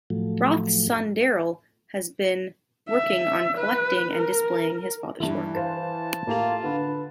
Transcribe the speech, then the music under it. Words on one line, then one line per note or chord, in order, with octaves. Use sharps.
Roth's son Darryl has been working on collecting and displaying his father's work.
A2 F3 F#3 A3
E5
B4
A#4
G2 E3 E4
B4 C5 F5 A5
A2 A#3 F4 G4 F7
D3 B4